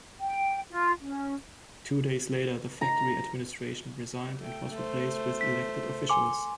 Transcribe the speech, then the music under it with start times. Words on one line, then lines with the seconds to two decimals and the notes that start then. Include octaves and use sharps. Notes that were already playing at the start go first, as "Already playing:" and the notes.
Two days later the factory administration resigned and was replaced with elected officials.
0.20 G5
0.69 F4
1.00 C#4
2.81 A#5
4.40 A3 G5
4.70 A3 C5
5.41 B6
6.10 G#5 C6 D6